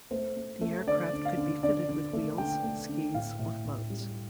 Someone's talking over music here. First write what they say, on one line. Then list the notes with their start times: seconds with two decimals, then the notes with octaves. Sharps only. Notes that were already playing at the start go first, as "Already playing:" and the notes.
The aircraft could be fitted with wheels, skis or floats.
0.11 A3 C5
0.37 A3
0.61 A3
0.87 D3 D5
1.13 D3
1.25 F5
1.37 D3
1.63 D3 D5
1.88 D3
2.13 A3
2.38 D3 G5
2.64 A3
2.89 D3
3.14 A2 F5
3.39 A2
3.65 A2
3.90 G3